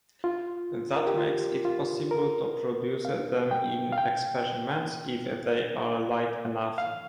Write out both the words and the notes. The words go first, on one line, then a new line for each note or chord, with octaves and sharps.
That makes it possible to produce them in experiments if they are light enough.
F4
A#4
G4
F4
F4
A#4
F5
G5
F5
G5
F5